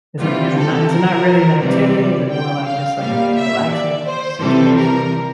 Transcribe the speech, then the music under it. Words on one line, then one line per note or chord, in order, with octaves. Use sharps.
Is it is it not is it not really an activity? Is it more like, just, like a relaxing situation?
C3 E3 G3 F4
A4
A#4
C3 E3 G3 D5
G5
F5
A#2 G3 F5
E5
D5
C5
C3 E3 G3 A4
A#4